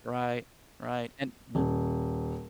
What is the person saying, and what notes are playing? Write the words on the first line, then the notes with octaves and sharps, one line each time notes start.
Right, right, and Yeah.
D#1